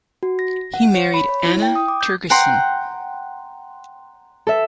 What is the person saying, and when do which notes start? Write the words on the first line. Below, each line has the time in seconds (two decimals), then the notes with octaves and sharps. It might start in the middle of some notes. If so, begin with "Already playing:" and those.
He married Anna Tergersen.
0.23 F#4
0.39 A#6
0.74 F#5
0.94 C#5
1.14 B5
1.29 C#5
1.46 E4
1.62 G5
1.76 D#6
1.88 D6
2.01 G6
2.30 F#5 G5 A#5 C6
4.47 A4 E5